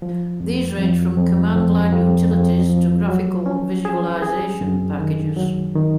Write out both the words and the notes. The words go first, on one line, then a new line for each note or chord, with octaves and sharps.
These range from command line utilities to graphical visualisation packages.
F3
F2
F2
F2
F2
F2
F2
F3
F#3
C#4
G#4
G#4
F#2
D#3
F#3
D#3